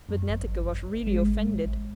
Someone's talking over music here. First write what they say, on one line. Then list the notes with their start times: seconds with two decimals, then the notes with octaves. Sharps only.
But Netteke was really offended.
0.09 F#2
0.29 G#1
0.48 G#1
0.68 G#1
0.88 G#1
1.07 G#3
1.27 A1
1.47 A1
1.66 A1